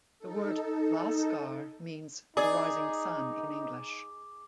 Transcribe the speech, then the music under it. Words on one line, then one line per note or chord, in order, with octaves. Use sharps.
The word "Bhaskar" means "The Rising Sun" in English.
D#4 A4
D#4 G#4 D5 D6